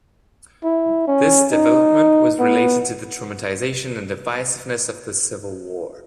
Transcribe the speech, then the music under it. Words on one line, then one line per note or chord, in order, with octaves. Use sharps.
This development was related to the traumatization and divisiveness of the Civil War.
E4
C#4
D#4
B3